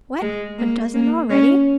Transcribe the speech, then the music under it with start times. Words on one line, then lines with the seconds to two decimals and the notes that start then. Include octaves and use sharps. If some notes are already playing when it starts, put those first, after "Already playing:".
What! a dozen already?
0.22 G#3
0.59 A#3
0.94 A#3
1.30 C#4